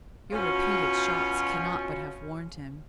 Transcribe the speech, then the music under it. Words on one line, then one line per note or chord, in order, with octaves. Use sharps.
Your repeated shots cannot but have warned him.
B2 C#4 F4